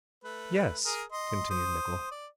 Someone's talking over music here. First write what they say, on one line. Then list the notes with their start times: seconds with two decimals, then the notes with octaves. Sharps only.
"Yes," continued Nicholl.
0.24 A3 B4
0.85 G#4 A#4
1.12 D#5 C6
1.50 C5 D#6
2.11 D5